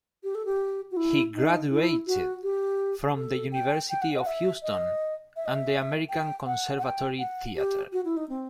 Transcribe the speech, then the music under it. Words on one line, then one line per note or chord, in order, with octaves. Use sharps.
He graduated from the University of Houston and the American Conservatory Theater.
G4
A4
G4
F#4
E4
D#4
E4
F#4
G4
A4
G5
G5
F#5
D#5
F#5
E5
D#5
E5
D#5
E5
G5
F#5
F#5
G5
F#5
G4
F#4
E4
D#4
C4